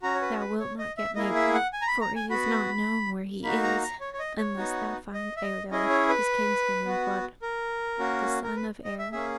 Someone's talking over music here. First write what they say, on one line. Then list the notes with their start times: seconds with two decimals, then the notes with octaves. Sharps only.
Thou wilt not get Mabon, for it is not known where he is, unless thou find Eidoel, his kinsman in blood, the son of Aer.
0.03 C#4 F#4 A#5
0.15 C#5
0.21 B4
0.40 B4
0.60 C#5
0.78 D#5
0.98 E5
1.16 A#3 E4 G#4 D#5
1.35 E5
1.54 F#5
1.73 G#5
1.82 A#5
1.87 B5
2.01 A#5
2.16 G#5
2.30 B3 F#4 B5
3.43 A#3 D#4 F#4 B5
3.63 A#5
3.82 A#5
4.00 C#5
4.13 C#5
4.19 D#5
4.38 C#5
4.57 B3 D#4 F#4
5.14 D#5
5.37 E5
5.43 D#5
5.71 C#4 E4 G#4 D#5
5.90 C#5
6.09 B4
6.85 B3 F#4
7.42 A#4
7.99 A#3 C#4 F#4
8.43 A#4
8.56 B4
8.84 D#5
8.99 E5
9.12 A#3 C#4 G#4 E5